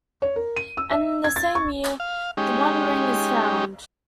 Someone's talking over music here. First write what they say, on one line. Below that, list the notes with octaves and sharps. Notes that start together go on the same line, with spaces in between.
And in the same year, the One Ring is found.
C#5
A#4
D#7
E6
E5
G#6
A6
C#6
F5
G#3 C#4 D#4 G4